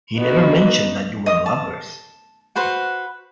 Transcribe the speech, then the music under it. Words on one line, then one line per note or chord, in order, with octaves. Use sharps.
He never mentioned that you were lovers.
B3 D#4 F#4
D#5 D#6
A5
F#4 B4 C5 F#5